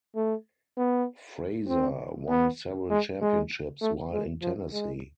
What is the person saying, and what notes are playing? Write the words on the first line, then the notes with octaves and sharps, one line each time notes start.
Fraizer won several championships while in Tennessee.
A3
B3
C4
B3
G#3
G#3
A3
G#3
F3
G#3